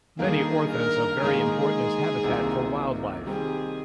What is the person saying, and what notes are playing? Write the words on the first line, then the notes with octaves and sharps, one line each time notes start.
Many orthents are very important as habitat for wildlife.
G2 D#3 A#3 G#4
A#4
G#2 D#3 A#3 D#4 G#4
C2 C3 D#3 A#3 F4
D#3 G3 C4 G4 G#4